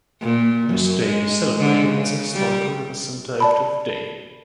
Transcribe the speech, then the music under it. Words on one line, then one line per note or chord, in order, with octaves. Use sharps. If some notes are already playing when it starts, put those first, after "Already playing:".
This day is celebrated as a historical representative day.
A#2
F#2
G#3
D3 G#3
C#3
G3
D5 A5 B5